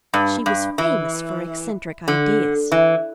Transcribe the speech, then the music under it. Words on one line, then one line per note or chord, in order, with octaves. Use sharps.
She was famous for eccentric ideas.
G2
G2
E3
D3
E3